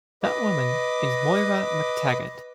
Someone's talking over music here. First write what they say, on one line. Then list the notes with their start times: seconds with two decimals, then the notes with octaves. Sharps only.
That woman is Moira MacTaggert.
0.23 B4 D#5 D6